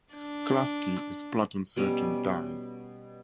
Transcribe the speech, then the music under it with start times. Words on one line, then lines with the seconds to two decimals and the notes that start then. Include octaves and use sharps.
Klasky, his platoon sergeant, dies.
0.13 D4
1.76 B2 G3 C#4